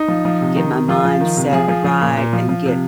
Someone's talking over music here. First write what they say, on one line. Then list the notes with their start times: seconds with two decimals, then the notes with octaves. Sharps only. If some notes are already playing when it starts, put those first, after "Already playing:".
get my mind set right and get,
Already playing: D#4
0.08 F3
0.25 F3
0.41 C3
0.56 D#3
0.73 D#3
0.88 F3 F4
1.05 F3
1.20 D#3
1.37 C3
1.53 F3 G#4
1.68 F3
1.84 F3
2.01 A#2
2.17 A#2
2.33 F3
2.49 F3
2.66 C3